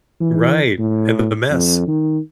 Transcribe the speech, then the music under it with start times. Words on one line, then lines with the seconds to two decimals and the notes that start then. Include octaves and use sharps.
Right, and the mess.
0.20 E3
0.79 A2
1.51 F2
1.87 D#3